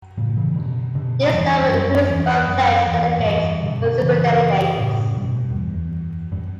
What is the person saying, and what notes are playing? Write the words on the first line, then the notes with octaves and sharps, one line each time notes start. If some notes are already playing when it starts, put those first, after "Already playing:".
This number includes both pledged delegates and superdelegates.
A2 C#3
C#3 E3
B2 D3
B2 D3
A2
E2 G2
F#2
E2
F#2
E2
A2
E2 G2
B2 D3
C#3 E3
A2 C#3
G2 B2
F#2
E2
E2
E2 G2